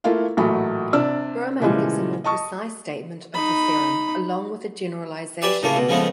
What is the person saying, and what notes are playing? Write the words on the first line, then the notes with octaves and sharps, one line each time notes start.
Broman gives a more precise statement of the theorem, along with a generalization.
A3 A#3 E4 F4 F5
A1 A#2 F#3 A3 B5
C3 D4 D5 E6
A#2 C#3 E3 F3 G3 G#3
D#5 A5 C#6 D#6
D#4 B5
G4 B4 D5 E5 G#5
A2 C#3 A3 A#3 F4
B2
C#3 F3 G#3 A3 B3